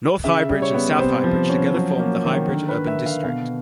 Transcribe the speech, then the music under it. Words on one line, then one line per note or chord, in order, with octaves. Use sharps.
North Highbridge and South Highbridge together formed the Highbrige Urban District.
C#3 E5
G3
C#5
B3
C3 C5
F3
C#4
F#3
A#3
D#3
D3 A#4
B4
D3
E5
D3
F5
B2 F5